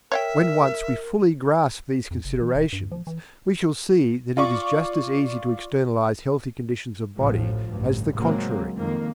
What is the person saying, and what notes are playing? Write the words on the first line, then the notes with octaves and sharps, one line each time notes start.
When once we fully grasp these considerations we shall see that it is just as easy to externalize healthy conditions of body as the contrary.
A#4 C#5 E5 F5 G5
F2
F#1
E3
E1
G2
F3
E3
F4 D5 C#6
A1 D2 A2 F3
A1 D2 G2
C#3 F#3 G#3 A#3 C4
F2 D#3 G#3 A#3